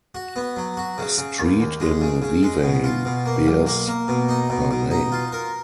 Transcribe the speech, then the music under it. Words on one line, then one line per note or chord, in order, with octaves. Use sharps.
A street in Vevey bears her name.
F#4
B3
F#3
F#4
C#3
C#3
D#2
D#2
G#3
C#3
C#3
G#3
B2
F4
B2
A#3
B1
A#3
A#3
B2
D#4
B2
B2
D#4
F4
A#4